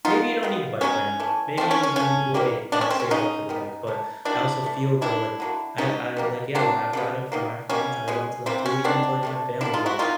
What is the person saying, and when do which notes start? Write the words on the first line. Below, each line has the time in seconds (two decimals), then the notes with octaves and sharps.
maybe you don't need the bike right now. Maybe you need to wait and save up for the bike," but, I also feel though, like, I I like yeah, when I've got it for my friends, I lend to them too, even to, like, my family, like,
0.05 B2 F#3 B3 D#4 F4
0.43 D#3 G#3 B3
0.81 B2 F#3 B3 C#4
1.20 E3 A3
1.57 D3 F3 A3 C4
1.71 C#4
1.83 C#4
1.96 C#3 E3 A3 C#4
2.34 C3 D#3 G3 A#3
2.72 C#3 E3 G#3 B3 D4
2.81 C#4
2.91 C4
3.00 C#4
3.10 C#3 F3 G#3 B3 C#4 D#4
3.49 D#3 G3 B3
3.87 E3 A3
4.25 D#3 F#3 A#3 D4 E4
4.64 E3 A3
5.01 C3 D#3 G#3 D4 E4
5.40 D3 F#3 A#3
5.78 E3 G#3 B3 C#4 D#4
6.17 B2 G3 A#3
6.55 D3 F#3 A#3 C4 D4
6.93 C#3 F#3 B3
7.32 D#3 F#3 A#3
7.69 B2 G3 A#3 C#4
8.08 B2 G#3 B3
8.46 C3 E3 G3 A#3 C4
8.66 C#4
8.84 D#3 F#3 B3 C4 D4
9.23 C3 E3 A3
9.61 D3 G3 A#3 D4 E4
9.74 D#4 F4
9.86 E4 F#4
9.99 C3 D#3 G3 D#4 F4